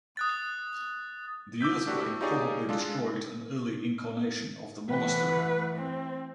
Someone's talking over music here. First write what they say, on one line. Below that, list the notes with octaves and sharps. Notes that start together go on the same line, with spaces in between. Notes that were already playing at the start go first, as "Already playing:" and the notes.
The earthquake probably destroyed an early incarnation of the monastery.
D#6 F#6 A6
D6 E6 G6 B6
A3 B3 D4 F#4 G4
A3
D#4 F4 G4 G#4 C#5 D5
G#3 D4 F4 A4
E3 A3 B4 F#5
C4